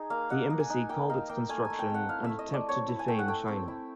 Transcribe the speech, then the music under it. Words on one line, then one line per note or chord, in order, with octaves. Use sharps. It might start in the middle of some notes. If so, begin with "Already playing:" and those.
The embassy called its construction an attempt to defame China.
Already playing: D#4 G#4
A#3 F5
D#4 F#5
A#3
G#5
D#4
A#3 G5
D#4 F5
A#3 G5
A3 G#5
G#5
A3
G5
C4 F#5
E4 F5
A3 E5
D#5
A3 D5
C4 C#5
E4
G#5
A3 G5
F#5
A3 G5
C4
E4